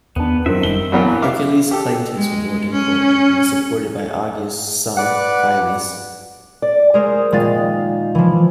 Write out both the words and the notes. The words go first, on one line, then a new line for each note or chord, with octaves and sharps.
Hercules claimed his reward in court, and was supported by Augeas' son Phyleus.
E2 D#3 B3 D4
F#2 D#3 F#3 C4 D4 A#4 E5
F#1 F#2 G3 G7
A#1 E3 F#3 B3 A#4
E5 F5 D6
G4 A4
G#3
C#4
B4 D5 F#5
D5
G#3 G#4 A#4 C5
A#2 D#3 G#3 F4 A6
E3 F3